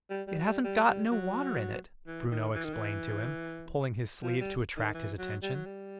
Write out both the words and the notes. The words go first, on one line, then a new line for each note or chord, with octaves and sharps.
"It hasn't got no water in it!" Bruno explained to him, pulling his sleeve to attract his attention.
G3
G3
F#3
G3
G3
G3
F#3
E3
D#3
E3
D#3
E3
F3
G3
D#3
E3
F#3
G3
F#3
G3